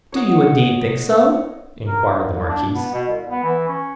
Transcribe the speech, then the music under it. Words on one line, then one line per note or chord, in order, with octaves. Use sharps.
"Do you, indeed, think so?" inquired the marquise.
C#5 D#5 F#5
A#4
G#2
C2
D4
B3
B2
C2
B3
E3
C#4